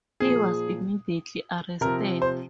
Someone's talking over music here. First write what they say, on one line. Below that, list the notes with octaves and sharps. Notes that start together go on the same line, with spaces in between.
He was immediately arrested.
A#2 F3 G#4
C3 F3 A#4
C5